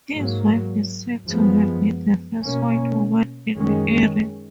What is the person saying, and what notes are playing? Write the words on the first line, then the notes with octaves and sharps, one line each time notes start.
His wife is said to have been the first white woman in the area.
G#2 F#3 A#3
F#2 F3 G#3 B3
B2 A#3 C#4
F#2 D#3 G#3 C#4